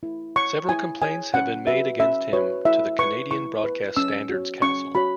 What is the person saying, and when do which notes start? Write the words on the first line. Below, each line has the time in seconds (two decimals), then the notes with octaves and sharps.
Several complaints have been made against him to the Canadian Broadcast Standards Council.
0.03 E4
0.36 C#5 C#6
0.69 E4 G#5
1.01 C#5 G#5
1.34 C#4 F#5
1.67 F#4 B4 E5
2.00 C#4 E5
2.33 F#4 B4 C#5
2.65 E4 E5
2.99 B4 C#6
3.31 E4 C#6
3.64 B4
3.97 C#4 E6
4.29 F#4 C#5
4.62 C#4 C#6
4.95 F#4 C#5 B5